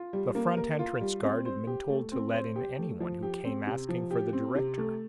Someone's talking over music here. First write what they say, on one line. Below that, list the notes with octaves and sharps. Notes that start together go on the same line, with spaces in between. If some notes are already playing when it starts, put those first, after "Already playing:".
The front entrance guard had been told to let in anyone who came asking for the director.
Already playing: F4
G3
A#3
A#4
F4
G3
C4
C5
G4
A3
C4
C5
G4
A3
F3
G4
C4
C3
F3
G4
C4
C3
A3